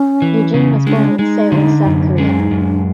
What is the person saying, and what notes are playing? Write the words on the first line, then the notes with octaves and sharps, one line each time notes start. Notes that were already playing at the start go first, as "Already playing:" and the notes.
Eugene was born in Seoul, South Korea.
Already playing: C#4
E3
C#3
G#3 D4
C#4
D4
G#3 D#4
D3
F#2
G#3 C#4
D#4
F#2
D4